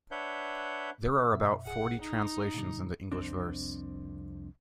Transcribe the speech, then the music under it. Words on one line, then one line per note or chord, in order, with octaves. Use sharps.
There are about forty translations into English verse.
D4 B4 C#5 E5 F#5 G6
F#2 B2 E5
A1 G#4 F#5
D#4
A#2 D3 G3
C2 F2 C4 D4